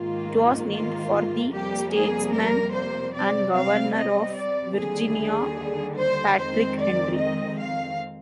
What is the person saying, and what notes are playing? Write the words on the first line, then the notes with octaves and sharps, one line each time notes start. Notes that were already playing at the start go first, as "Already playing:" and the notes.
It was named for the statesman and governor of Virginia Patrick Henry.
Already playing: G#2 D#3 A#3 F4
F4
F2 C3 G3 A#3 G4
G#4
A#4
C5
C3 G3 C4 D5
F5
D#5
D5
D#2 D3 G3 G#4
C5
F2 D#3 G#3 C4 C5
D5
D#5
F5